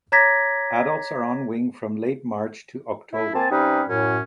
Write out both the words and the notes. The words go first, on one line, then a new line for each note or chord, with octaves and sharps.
Adults are on wing from late March to October.
C#5 A#5 D6 G#6 A#6 B6
E4
A#3 C4 G#5 A5
C3 G3 C#4 D#4 B4 D#6
F#2 A2 C#4